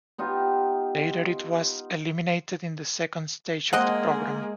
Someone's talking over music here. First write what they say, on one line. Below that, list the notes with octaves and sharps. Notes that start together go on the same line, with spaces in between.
Later it was eliminated in the second stage of the program.
B3 D#4 F4 G4
G#3 A#3 C4 G#4 D#5 F#5